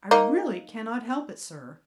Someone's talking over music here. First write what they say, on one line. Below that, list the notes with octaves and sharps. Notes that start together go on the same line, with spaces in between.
I really cannot help it, sir.
A#3 D#4